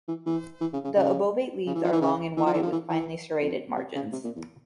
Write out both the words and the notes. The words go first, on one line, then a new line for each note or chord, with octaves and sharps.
The obovate leaves are long and wide with finely serrated margins.
E3
E3
E3
C#3
C#3
C#3
C#3
E3
F3
E3
C#3
E3
F3
E3
F3
E3
E3
F2
C3
C#3
C3
A#2
E2